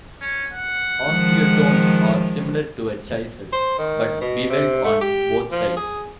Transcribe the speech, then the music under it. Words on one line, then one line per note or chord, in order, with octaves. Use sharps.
Osteotomes are similar to a chisel but bevelled on both sides.
C#4
F#5
D#3 F3 G#3
C5
D#3
B2
C3
A3
G4
F3
G#4